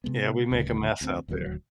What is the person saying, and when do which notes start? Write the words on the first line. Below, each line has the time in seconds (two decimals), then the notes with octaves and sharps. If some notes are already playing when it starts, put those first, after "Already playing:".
Yeah, we make a mess out there.
0.04 C3 E3 G#3 B3
0.51 D1 D2 G2 C#3
1.01 D2 C4
1.28 D#1 D2 B2 F#3